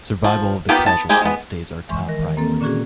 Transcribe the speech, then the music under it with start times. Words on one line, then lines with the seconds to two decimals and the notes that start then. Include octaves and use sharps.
Survival of the casualties stays our top priority!
0.24 F3
0.69 A#3 B3 D#4 F4 G4
0.86 B3 A5
1.09 A#3 G4 G#4 C5 D#5
1.21 G#3 B3
1.89 E3 G#3 C6 C#6
2.08 D#3 A#4
2.37 A#3 C4 A4
2.61 A#2 D3 C#4 F#4 G#4